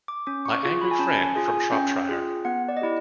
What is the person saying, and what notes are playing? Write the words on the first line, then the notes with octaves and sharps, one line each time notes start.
My angry friend from Shropshire!
D6
C#4 D6
C#6
F4 G#4 C#6
B5
G#5
C#4 A5
G#5
F4 G#4
G#5
C#4 G5
F4 G#4
B3 F#5
D5
D#5
E4 G4 D5